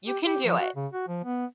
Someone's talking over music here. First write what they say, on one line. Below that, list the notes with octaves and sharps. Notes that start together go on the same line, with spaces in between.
You can do it.
G4
G4
F3
F#4
C#3
F#4
F3
B3